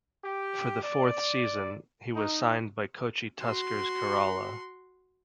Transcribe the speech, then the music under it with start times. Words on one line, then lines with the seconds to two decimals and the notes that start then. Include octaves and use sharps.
For the fourth season, he was signed by Kochi Tuskers Kerala.
0.24 G4
0.83 D5
2.15 D#4
3.42 F#4 C6